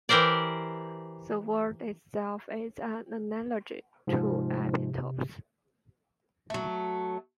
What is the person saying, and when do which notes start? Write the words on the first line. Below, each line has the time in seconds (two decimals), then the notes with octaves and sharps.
The word itself is an analogy to epitopes.
0.09 E3 G4 A#4 C5 D5
4.07 G#2 C3 F3
6.50 F#3 A3